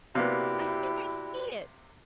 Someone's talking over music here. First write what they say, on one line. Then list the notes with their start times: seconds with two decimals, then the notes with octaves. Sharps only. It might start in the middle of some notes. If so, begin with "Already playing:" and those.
"I think I see it."
0.15 C3 A#3 B3 E4 F#4 G4 D5 F#6